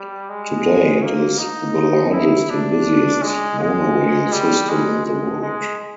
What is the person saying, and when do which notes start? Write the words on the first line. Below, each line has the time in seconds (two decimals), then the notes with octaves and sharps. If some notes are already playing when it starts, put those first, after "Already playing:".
Today it is the largest and busiest monorail system in the world.
Already playing: G3
0.29 G#3
1.03 A#3
1.39 D#4
2.12 E4
2.50 D4
3.23 G#3
3.59 G#3
4.32 G3
4.69 G#3
5.06 G#3
5.42 G#3